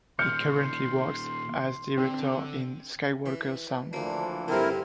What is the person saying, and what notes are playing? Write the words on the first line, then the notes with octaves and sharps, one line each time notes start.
He currently works as director in Skywalker Sound.
A#2 D#3 C6 F6 G6 C#7
D3 C4
E3
D2 E3 F3 A#3 D4
G2 D3 C4 E4 A#4